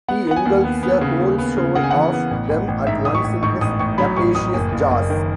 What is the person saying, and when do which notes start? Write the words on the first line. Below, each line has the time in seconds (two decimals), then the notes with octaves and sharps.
He engulfs a whole shoal of them at once in his capacious jaws.
0.08 B3 F#5
0.27 B3 F#5
0.36 G#5
0.46 D#2
0.64 B3
0.83 B3
1.01 C#3
1.20 D#2
1.38 B3
1.57 C#3
1.75 C#3 F#5
1.84 G#5
1.91 E3 F#5
2.13 B3
2.31 A1
2.49 A1
2.68 A1
2.87 G#2 E5
3.05 A1 D#6
3.15 C#6
3.24 A1
3.43 G#2 C#6
3.61 A1 D#6
3.79 A1 C#6
3.98 F#3 B5
4.17 A1 C#6
4.35 A1 D#6
4.54 F#1
4.73 F#1
4.91 F#1
5.10 D#3